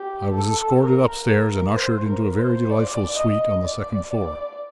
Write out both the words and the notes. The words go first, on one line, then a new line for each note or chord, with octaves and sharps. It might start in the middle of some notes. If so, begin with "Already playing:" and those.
I was escorted upstairs and ushered into a very delightful suite on the second floor.
Already playing: G4
A4
A#4
A#4
C5
A#4
C5
D5
D#5
D5
D5